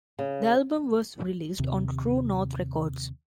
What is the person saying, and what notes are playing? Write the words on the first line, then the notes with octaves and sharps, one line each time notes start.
The album was released on True North Records.
C#3
D#2 C3